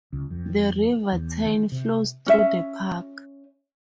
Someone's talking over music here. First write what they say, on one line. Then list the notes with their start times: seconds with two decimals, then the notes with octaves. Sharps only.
The River Tyne flows through the park.
0.13 C#2
0.30 F2
1.12 E2
1.46 D#3
1.72 C3
2.27 C#4 E5